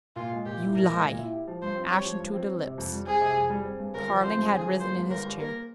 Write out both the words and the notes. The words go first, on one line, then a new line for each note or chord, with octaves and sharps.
"You lie!" Ashen to the lips, Carling had risen in his chair.
A#2 F4
G#3
A#2 G4
E4
A#2 A#4
G#3
A#2
E4
G4
F3
G2 C5
C4
G4 C#5
F3
G2
C4
C4
C3
F2
G3
C4 G#4
C3
F2
G3
C4
G2
G1 A#4
F3
C4 C5
G2
G1 G#4
F3
A#3 C5
G2
G1 A#4
G3
A#3 A#4